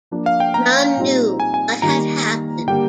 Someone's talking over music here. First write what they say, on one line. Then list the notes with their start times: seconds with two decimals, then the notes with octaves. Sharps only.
None knew what had happened.
0.11 F3 A#3 D4
0.26 F5
0.40 G5
0.54 A#5
0.97 A#2 G3 C4 D#4
1.40 G#5
1.54 G#5
1.82 D#3 G3 A#3 A#5
2.67 D3 G3 A#3 D4 G5